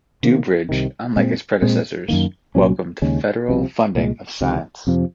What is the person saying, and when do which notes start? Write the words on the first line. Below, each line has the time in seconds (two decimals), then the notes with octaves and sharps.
DuBridge, unlike his predecessors, welcomed federal funding of science.
0.23 C3 D#3 A#3
0.69 C2 C3 D#3
1.16 A#2 G#3 C4
1.62 A#2 G#3 C4
2.08 F#2 D#3 A#3
2.55 C2 A#2 F#3 C#4
3.02 D#2 C#3 G#3 C#4
3.48 C2 C3 F3 C4
3.95 C2 A#2 G#3
4.41 C#2 C3 D#3
4.87 F2 C3 F3